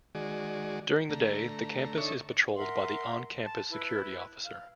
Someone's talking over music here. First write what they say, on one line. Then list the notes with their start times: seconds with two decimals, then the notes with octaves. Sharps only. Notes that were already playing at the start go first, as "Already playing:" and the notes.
During the day, the campus is patrolled by the on-campus security officer.
0.15 D#3 G#3 F#4 G#4 D5
1.09 D3 A3 A#5
1.98 D4 D#4 A4 C#5 E5 C#6
2.57 A#4 E5 F#5 C6
3.45 A5
3.71 E4 B4
4.44 F5